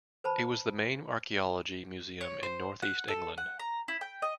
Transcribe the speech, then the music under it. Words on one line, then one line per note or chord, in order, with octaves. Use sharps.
It was the main archaeology museum in north east England.
B4 C5 A5 B5
C#5
C5
F#5
A4
F#5
A#5
E4
G5
D#5